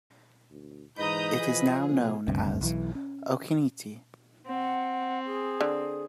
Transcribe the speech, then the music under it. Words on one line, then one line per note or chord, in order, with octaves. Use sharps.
It is now known as ookinete.
D2
G#2 E3 B4 D#5 A#5 B5 D#6 G6
F3 G#4
B2 A3
F#1 D2 G2 C3
B1 E3
C#4
C4 F#5
G#4
D3